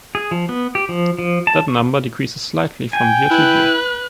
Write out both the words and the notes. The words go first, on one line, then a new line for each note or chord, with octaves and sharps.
That number decreases slightly from year to year.
G#4
F3
B3
G4
F3
F3
A5
C#6
G5 G#5
E4 B4 F#6